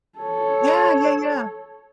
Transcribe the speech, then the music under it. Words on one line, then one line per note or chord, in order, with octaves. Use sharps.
yeah, yeah, yeah,
A4 C#5